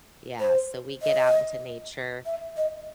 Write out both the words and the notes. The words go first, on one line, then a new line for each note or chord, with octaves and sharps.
yeah, so we get out into nature.
C5
D#5
E5
D#5